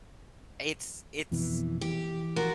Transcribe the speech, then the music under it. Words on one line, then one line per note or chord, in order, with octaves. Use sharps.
It's it's
F2 B2 E3
E3 G4
F3 F#4 A#4